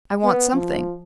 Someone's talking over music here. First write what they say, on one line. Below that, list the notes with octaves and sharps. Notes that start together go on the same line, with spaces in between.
I want something.
B3
F3